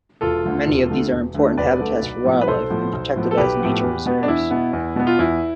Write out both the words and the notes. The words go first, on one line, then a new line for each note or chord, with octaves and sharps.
Many of these are important habitats for wildlife and protected as nature reserves.
E1 F4 A4
D2 D3 A3
E1
D2 D3 A3
E1
D2 D3 A3
E1 B4 D5
D2 D3 A3
B1
A2 F3 B3
B4
B1 A4 C5
A2 F3 B3
B1
A2 F3 B3
A4
B1 G4 B4
A2 F3 B3
E2
B2 B3
D4
E2 E4
B2 B3
E2
B2 B3
F4
E2 E4